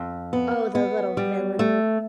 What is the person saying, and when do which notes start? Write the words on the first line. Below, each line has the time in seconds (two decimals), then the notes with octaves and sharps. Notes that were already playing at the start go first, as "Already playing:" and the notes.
Oh, the little villain!
Already playing: F2
0.33 B3
0.75 B3
1.17 G3
1.59 A3